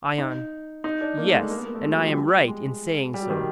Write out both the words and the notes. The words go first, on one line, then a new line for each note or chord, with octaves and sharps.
ION: Yes; and I am right in saying so.
D#4
D#4
D4
A#3
A3
G#3
A3
A#3
B3
A#3
A3
G#3
F#3
F3
G3
G#3
G3
F#3
D#3